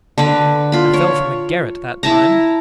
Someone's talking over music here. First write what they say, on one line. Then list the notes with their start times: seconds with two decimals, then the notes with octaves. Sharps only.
I fell from the garret that time.
0.18 D3 B4
0.72 F4 B5
0.94 C#5
2.03 E4 A5 A#5